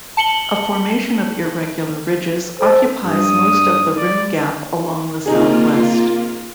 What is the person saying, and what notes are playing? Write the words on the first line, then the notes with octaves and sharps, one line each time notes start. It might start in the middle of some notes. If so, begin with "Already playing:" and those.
A formation of irregular ridges occupies most of the rim gap along the southwest.
A5 C#7 F#7 G7
A4 C5
G2 D#6
D5
C3 A#3 D#4 F4 G#4